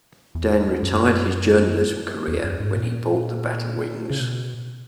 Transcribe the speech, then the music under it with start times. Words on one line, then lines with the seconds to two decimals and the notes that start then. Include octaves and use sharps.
Dan retired his Journalism career when he bought the Battle Wings.
0.35 E2
0.83 F#2
2.28 E2
2.44 F#2
2.60 G#2
2.76 A#2
4.10 C#3
4.20 B2